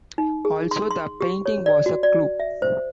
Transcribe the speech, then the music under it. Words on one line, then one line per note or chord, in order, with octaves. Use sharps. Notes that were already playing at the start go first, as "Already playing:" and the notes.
Also, the painting was a clue.
D#4
G#4
C6
C6
G4
C#5
D5
F#4
D5
E5
C5